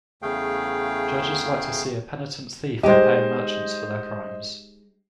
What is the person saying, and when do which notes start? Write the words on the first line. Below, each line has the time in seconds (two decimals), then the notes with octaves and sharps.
Judges like to see a penitent thief repaying merchants for their crimes.
0.22 E2 C#3 A3 G#4 F5 G5
2.83 G#3 D#4 G4 C5 D#5